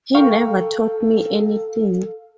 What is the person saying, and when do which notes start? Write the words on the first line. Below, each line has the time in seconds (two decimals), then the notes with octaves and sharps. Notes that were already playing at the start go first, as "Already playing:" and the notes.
He never taught me anything.
0.15 A4 A#4 F5 G5 C#6